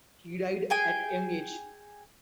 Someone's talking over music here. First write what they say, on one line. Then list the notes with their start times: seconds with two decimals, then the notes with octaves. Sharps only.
He died at young age.
0.70 G#4 G5 G#5